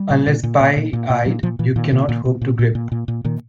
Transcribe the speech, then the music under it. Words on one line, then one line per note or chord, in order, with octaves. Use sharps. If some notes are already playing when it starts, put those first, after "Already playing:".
Unless pie-eyed, you cannot hope to grip.
Already playing: G3
A#2
A#2
A#2
A#2
A#2
A#2
A#2
A#2 F#3
A#2 F3
A#2 E3
A#2 D#3
A#2
A#2
A#2
A#2
A#2
A#2
A#2
A#2
A#2 D#3